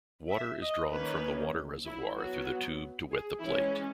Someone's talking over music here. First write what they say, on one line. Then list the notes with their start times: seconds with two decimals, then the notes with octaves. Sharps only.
Water is drawn from the water reservoir through the tube to wet the plate.
0.30 E5
0.62 D#5
0.93 D#3 A#3 C#4 B4
1.87 E4
2.18 F#3 B3 F#4
3.11 G#4
3.41 E3 G#3 C#4 E4